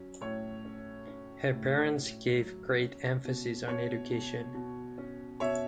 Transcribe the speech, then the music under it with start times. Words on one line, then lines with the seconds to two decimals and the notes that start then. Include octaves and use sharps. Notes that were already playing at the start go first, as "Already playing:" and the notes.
Her parents gave great emphasis on education.
Already playing: F#3 C#4
0.21 A2 C#5
0.65 C#4
1.07 C#4
1.51 A2
1.94 A2
2.38 F#3
2.80 C#4
3.25 B2
3.67 B2 C#5
4.10 B2
4.54 B2
4.98 C#4
5.40 B2 C#5 E5